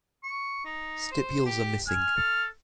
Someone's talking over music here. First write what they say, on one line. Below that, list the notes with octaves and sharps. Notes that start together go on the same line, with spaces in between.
Stipules are missing.
C#6
D#4
C5
G4
G#5 F6
A4